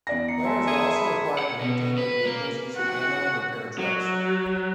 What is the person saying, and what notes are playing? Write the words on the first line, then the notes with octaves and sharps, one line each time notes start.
Players are also required to maintain their vehicles using ammo and repair trucks.
E2 D5 A#6
A#5 C7 C#7
E5 G#5 A5 C6
G#4 G#5 G#6 E7
B5
F#5
B2
B4
A#3
F#4 F#5
F#3